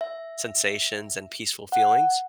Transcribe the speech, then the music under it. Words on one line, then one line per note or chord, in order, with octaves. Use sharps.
sensations and peaceful feelings.
E5
F#5